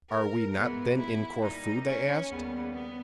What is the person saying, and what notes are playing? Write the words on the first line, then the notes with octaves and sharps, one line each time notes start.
"Are we not, then, in Corfu?" they asked.
A#4
G2 E3 G#3 B3
E4
A#2 G3 D#4
C#4
D#2 C#3 G3 B3
B3